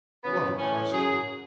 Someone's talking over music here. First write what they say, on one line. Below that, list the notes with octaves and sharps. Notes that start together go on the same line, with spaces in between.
"What a question!"
F#2 C#3 E3 B3
A2 E3 C#4
F#2 C#3 F#3 G#4